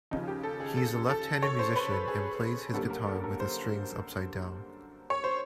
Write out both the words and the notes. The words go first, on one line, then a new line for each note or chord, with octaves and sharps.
He is a left-handed musician and plays his guitar with the strings upside down.
D#2 C#3 F3 D#4
G4
A4
G#4
A4
A4
C#5
C5
B4
A4
G#4
F#2 D3 G3 A#3 A4
A#4
A4
A#4
C5
C#5
C5